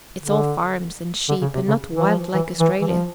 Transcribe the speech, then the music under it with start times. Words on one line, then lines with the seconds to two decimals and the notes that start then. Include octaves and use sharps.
It's all farms and sheep and not wild like Australia.
0.22 D3
1.29 D3
1.41 C#3
1.55 C3
1.68 C#3
1.96 E3
2.07 F3
2.34 E3
2.60 E3
2.82 E3
2.87 F3